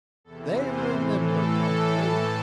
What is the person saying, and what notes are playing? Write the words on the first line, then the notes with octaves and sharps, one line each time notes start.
They remember Pompeii.
E2 C3 E3 A4
C5
A2 C5
E3
A4